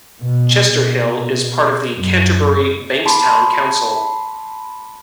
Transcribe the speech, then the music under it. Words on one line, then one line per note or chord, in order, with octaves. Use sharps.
Chester Hill is part of the Canterbury-Bankstown Council.
B2
B2
F#2
A5 B5 C6 D6